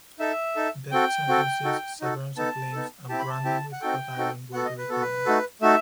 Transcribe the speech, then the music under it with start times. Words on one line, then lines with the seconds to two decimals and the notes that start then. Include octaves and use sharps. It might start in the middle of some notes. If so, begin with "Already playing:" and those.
Death sentences, severance of limbs and branding with hot iron were very common.
0.19 D#4 A4 E5
0.56 D#4 A4
0.91 C4 F#4 A4 G5
1.28 C4 F#4 A4
1.64 D#4 F#4 A4
2.01 D#4 F#4 A4
2.37 B3 D#4 A4 A5
2.72 B3 D#4 A4
3.09 C4 E4 G4 A5
3.19 B5
3.30 A5
3.45 C4 E4 G4
3.72 F#5
3.81 C4 D#4 F#4 A4 G5
4.17 C4 D#4 F#4 A4
4.53 B3 F#4 A4 F#5
4.65 D#5
4.78 B4
4.89 B3 F#4 A4
5.02 B4
5.26 A3 D#4 F#4 A4
5.62 A3 D#4 F#4 A4 E5